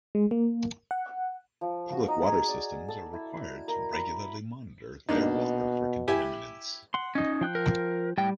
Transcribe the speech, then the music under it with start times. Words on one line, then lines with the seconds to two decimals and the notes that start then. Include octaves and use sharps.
Public water systems are required to regularly monitor their water for contaminants.
0.15 G#3
0.31 A#3
0.91 F#5
1.61 F3
1.92 F#4
2.08 D#4
2.26 G#4
2.48 D5
2.88 A4
3.13 E4
3.68 A#4
3.93 B5
5.09 B2 A#3 D4 D#4
6.08 E4 G4 G#5
6.94 F#5 C6
7.15 C#4 D#4 D#5
7.41 F3 G5 F#6
7.55 A#4
8.18 A2 G3 G5